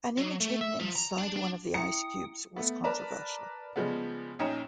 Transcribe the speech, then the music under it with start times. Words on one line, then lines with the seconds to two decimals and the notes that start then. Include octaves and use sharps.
An image hidden inside one of the ice cubes was controversial.
0.18 F#3
0.40 A3
0.61 E5
0.80 F3
0.96 A#5
1.18 D4
1.36 D4
1.74 E4 E5 G5 A#5 C6 D#6 C#7
2.56 A3 B3
2.84 A#4 B4 D5 A5 A#5
3.76 C#3 F3 G3 G#3 B3
4.39 A#1 C#4 D#4 G5 A#5 E7